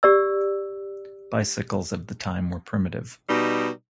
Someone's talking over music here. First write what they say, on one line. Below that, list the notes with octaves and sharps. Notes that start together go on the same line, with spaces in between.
Bicycles of the time were primitive.
G4 D5 E6
B2 G3 D#4